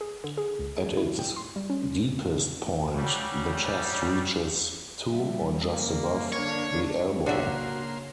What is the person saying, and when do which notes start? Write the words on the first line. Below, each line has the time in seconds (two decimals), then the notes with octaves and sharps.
At its deepest point the chest reaches to, or just above, the elbow.
0.01 G#4
0.24 D3
0.37 G#4
0.59 C#2
0.77 G#4
0.97 E4
1.19 G5
1.36 C6
1.56 G3
1.70 C#4
2.95 C#3 F#3 G3
5.10 C#3 F3 G3 E5
5.65 A#3
6.32 D3 D4 C#5
7.26 C#3 A#3 D4 F#4 E5 C6